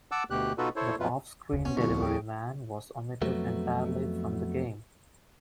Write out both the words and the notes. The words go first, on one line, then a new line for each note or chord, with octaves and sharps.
The off-screen delivery man was omitted entirely from the game.
F#5 A5 D6 E6
D2 B2 G4 F#6
B2 D#4 F4 F#4 A4 B4
E4 A4 C5 C#5
F2 B2 F#3 F4 B4
F1 D2
B3 C#4
C2 F2 D3 C#6
D2
D#2 G#4 G5
F2 F#3 A3 B3